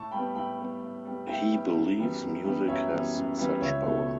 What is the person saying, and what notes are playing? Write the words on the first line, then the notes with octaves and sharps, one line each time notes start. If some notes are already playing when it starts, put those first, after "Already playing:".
He believes music has such power.
Already playing: A2 A5 C#6
G3 B3 G5 B5
A2 G5 B5
G3 B3
A2
G3 B3
A2 E5 G5
G3 B3
F#2
E3 G3 B3
F#2
E3 G3 B3
F#2 C#5 E5
E3 G3 B3
F#2
E3 G3 B3
C#2 C#5 E5
B2 A3